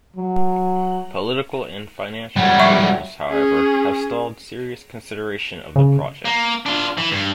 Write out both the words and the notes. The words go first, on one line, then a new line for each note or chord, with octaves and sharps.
Political and financial hurdles, however, have stalled serious consideration of the project.
F#3
F#3 G3
E5 C#6
C#4 G#4
C#3
A#3
D4 F4
E3
G2